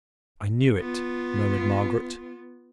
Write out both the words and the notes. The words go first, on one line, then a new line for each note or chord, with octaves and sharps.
"I knew it," murmured Margaret.
B3 F4